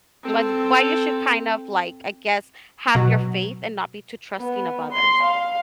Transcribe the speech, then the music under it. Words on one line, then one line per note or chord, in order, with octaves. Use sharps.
la th why you should kind of, like, I guess, have your faith, and not be too trusting of others.
C4 A4
B2 F#3
B3
C6
F5